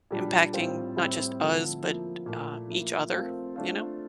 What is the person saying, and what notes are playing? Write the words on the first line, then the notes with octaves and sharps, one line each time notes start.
impacting, not just us, but, uh, each other. You know?
A#2 G3 D4
A2 G3 C4 F4 C5
A2 G3 C4 E4
D3 F3 A3 E4 A4
F3 A#3 E4
A#2 A3 E4 A#4
F3 A#3 E4
A3 C4 F4 A#4
A3 D4 F4 C5